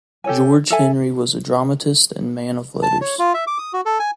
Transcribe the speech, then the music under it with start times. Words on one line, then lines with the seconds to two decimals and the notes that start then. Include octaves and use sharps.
George Henry was a dramatist and man of letters.
0.24 G4 A4 C#5 G#5
0.70 A4 E5 G#5
2.83 A5
3.01 C#5
3.19 F4
3.34 E5
3.47 D6
3.58 D#6
3.73 F#4
3.86 A4
3.99 G#5